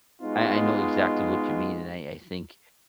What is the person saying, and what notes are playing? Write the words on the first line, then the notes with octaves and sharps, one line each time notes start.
I I know exactly what you mean, and I I think
G#3 B3 D#4 F4 F#4